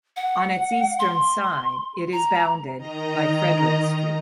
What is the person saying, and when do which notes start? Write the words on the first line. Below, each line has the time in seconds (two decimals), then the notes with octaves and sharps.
On its eastern side it is bounded by Frederick Street.
0.17 F#5
0.99 C6
2.13 A#5
2.76 D#3 D#5 A#5